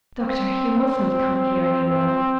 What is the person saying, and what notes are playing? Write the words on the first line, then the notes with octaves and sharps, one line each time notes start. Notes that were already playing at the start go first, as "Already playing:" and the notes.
Doctor, you must not come here any more.
C4